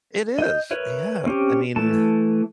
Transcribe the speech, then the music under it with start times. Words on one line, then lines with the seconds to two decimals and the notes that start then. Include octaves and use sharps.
It is. Yeah. I mean
0.39 D#5 G6
0.71 A#4 B4 C#5 E5
1.26 C4 C#4 G4
1.76 E3 A3 A5